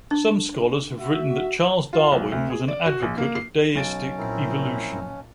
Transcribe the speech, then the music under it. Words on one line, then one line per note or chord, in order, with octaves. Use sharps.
Some scholars have written that Charles Darwin was an advocate of deistic evolution.
D4
F#4 E5
F4
B1
D2
G#4
D5
F#4
A#1
A#3
C7
B1 C#4 A6 D7
A#2 F3 C4 E4 A#4